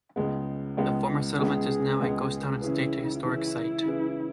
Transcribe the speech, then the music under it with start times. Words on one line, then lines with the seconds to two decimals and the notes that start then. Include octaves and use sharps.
The former settlement is now a ghost town and state historic site.
0.16 C#2 C#3 G#3 B3
0.77 C#2 C#3 G#3 B3
1.38 C#2 C#3 G#3 B3 G#4
2.00 C#2 C#3 G#3 B3
2.61 C#3 E3 C#4 E4 G#4 B4
3.23 C#3 E3 C#4 E4 G#4 B4
3.84 C#3 E3 C#4 G#4 B4